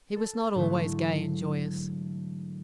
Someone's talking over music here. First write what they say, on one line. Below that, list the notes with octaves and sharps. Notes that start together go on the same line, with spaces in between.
He was not always gay and joyous.
A4
G#2 D3 E3 F#3 A3